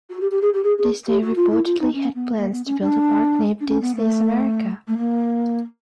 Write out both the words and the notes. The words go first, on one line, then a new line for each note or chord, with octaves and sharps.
Disney reportedly had plans to build a park named Disney's America.
F#4
G4
G4
G#4
G4
G#4
G#4
G4
F#4
F4
E4
F4
D#4
C#4
B3
A#3
B3
C#4
D4
D4
C#4
B3
A3
A3
A#3